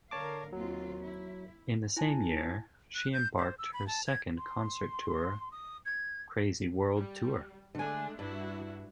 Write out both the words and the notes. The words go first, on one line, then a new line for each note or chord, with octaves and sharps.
In the same year, she embarked her second concert tour Crazy World Tour.
D3 A#4 C#5 F5 A5 D6
D#2 F#3 C4 F4
E4
E4 G#5 A5
F#6
G6
C5
E6
B5
A5
G#6
C6
D#6
G#6
G3
D3 G#3 A3 D4 G#5
G2 D4 E4 F#4